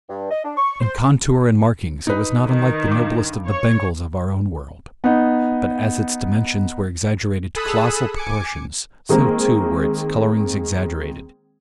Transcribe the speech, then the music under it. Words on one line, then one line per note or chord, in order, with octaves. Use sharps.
In contour and markings it was not unlike the noblest of the Bengals of our own world, but as its dimensions were exaggerated to colossal proportions so too were its colorings exaggerated.
G2
D#5
D4
C#6
C5
D#4 B4
D#3
G2 D6
C#5
B3 D#4
G#4 A4 B5 D#6 E6 F#6
G#5 D6 C#7
D#3 G#3 A#3 C4